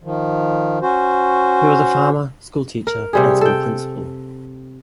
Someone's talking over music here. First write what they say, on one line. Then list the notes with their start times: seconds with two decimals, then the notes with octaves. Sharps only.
He was a farmer, school teacher and school principal.
0.03 D#3 F3
0.82 C#4 F#4 C5
2.87 A#4
3.13 C3 G3 G#4
3.41 A4 G5